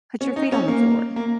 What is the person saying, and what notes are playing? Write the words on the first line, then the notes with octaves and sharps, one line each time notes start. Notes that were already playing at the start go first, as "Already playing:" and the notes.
put your feet on the floor
C#4
D#4
C#4
A#3
A#3